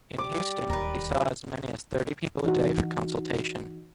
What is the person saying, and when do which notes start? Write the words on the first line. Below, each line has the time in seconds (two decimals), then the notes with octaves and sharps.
In Houston, he saw as many as thirty people a day for consultation.
0.18 G3 D6
0.70 D1 D#2 A#4 B4
2.44 E3 D#4 F#4